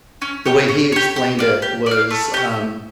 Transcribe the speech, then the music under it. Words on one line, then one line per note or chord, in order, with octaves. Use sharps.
the way he explained it was, um,
C#4
G4 C#5
C#4
G4 C#5
G4
D5 F5
G4
D5 F5
A3
C#4 G4